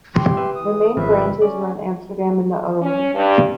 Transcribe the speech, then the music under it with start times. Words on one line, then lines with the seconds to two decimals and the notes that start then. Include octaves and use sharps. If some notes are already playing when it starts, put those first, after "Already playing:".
The main branches were in Amsterdam and The Hague.
0.16 G4 C6
0.37 B4 E5
0.55 E3 D#6
0.97 G#1 C#3 F3 B4 E5
1.42 C#4 D5
2.82 C#4
3.15 G2